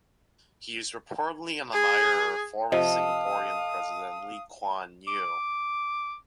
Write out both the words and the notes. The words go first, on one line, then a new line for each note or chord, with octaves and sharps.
He is reportedly an admirer of former Singaporean president Lee Kuan Yew.
G#4
C3 F3 A4 D#5 F5 D#6
D6